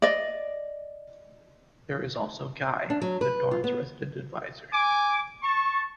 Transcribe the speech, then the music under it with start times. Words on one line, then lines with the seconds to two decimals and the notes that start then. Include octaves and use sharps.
There is also Guy, the dorm's resident adviser.
0.02 D5 D#5
2.90 D4
3.02 F#3
3.21 B4
3.51 F4
3.64 B3
4.73 G#5 D6
5.43 A5 C#6